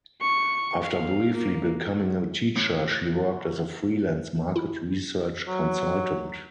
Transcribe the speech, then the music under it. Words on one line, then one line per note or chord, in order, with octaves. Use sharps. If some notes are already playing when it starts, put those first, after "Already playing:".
After briefly becoming a teacher, she worked as a freelance market research consultant.
C#6
F5
A#3
A2
E4
F#3